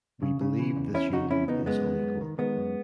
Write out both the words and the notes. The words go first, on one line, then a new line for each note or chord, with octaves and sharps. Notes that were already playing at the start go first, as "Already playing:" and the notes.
We believe this union is unequal.
C#3
C#3
E3
E2
E2 C#4 E4
C#3 D#4 F#4
E2 C#4 E4
C#3 B3 D#4
F#2 G#3 B3
D#3
F#2
D#3
D#3 G#3 B3
F#2